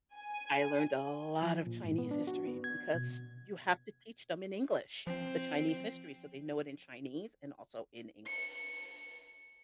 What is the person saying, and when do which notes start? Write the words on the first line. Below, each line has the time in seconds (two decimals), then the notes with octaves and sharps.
I learned a lot of Chinese history because you have to teach them in English. The Chinese history, so they know it in Chinese and also in English.
0.15 G#5
1.42 F3
1.67 A#2
1.84 G#2
1.98 B3
2.11 D4
2.27 F#4
2.47 B3
2.64 G#6
2.94 B2
5.07 F3 C4
8.28 C#7